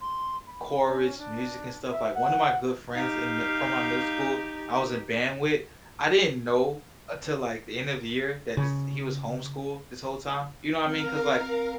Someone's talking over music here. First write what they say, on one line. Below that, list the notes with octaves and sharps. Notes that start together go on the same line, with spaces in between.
chorus, music, and stuff, like, one of my good friends in mi from my middle school I was in band with, I didn't know until, like, the end of the year that this he was homeschooled this whole time. You know what I mean? 'Cause, like,
C6
B5
C#4
D4
E5
F#5
D#4 G4 F5
C#3
C4 A#4 F5 F6